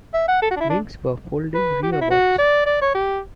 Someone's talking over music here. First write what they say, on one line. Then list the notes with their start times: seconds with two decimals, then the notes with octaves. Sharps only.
Wings were folding rearwards.
0.14 E5
0.28 F#5
0.42 A4
0.51 F#4
0.56 D4
0.60 E4
0.70 D4
1.54 B4
1.82 G4
1.92 F#4
2.01 E4
2.10 F#4
2.39 D5
2.66 D5
2.81 C#5
2.95 G4